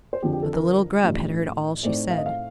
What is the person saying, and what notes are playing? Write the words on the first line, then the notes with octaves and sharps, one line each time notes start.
But the little Grub had heard all she said.
C5
F2 D3 F3 G4
G4
A4
A#4
A1 G2 F3 A3
A2 A3 C4 D#4 D5
F5
D#5
F5